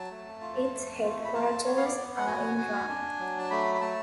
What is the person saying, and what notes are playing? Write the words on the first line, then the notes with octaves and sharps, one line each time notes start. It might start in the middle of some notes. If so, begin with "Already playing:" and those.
Its headquarters are in Rome.
Already playing: F#3 A5
A3
F4
A3
A3
B5
F4 A5
B3 C#5
F5
D5
B3
F#5
F#4 G#5
F#4
D4
F#3
A5
A3 B5
B5
A3 A5